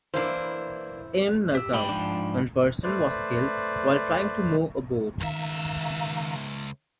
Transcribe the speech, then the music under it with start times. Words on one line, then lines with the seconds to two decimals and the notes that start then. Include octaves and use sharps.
In Nassau, one person was killed while trying to move a boat.
0.14 E3 A#3 D4 E4 C5
1.55 G4 E6
1.73 G#2 G5 B5
1.89 F3 D4
2.83 A3 B4 C5 D5
5.21 C#2 D#3 E5 F5 A#5